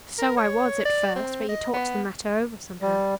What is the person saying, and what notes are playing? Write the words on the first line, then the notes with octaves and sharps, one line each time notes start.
"So I was, at first, but he talked the matter over somehow."
A#4
C#5
D5
C4
D#5
B3
G3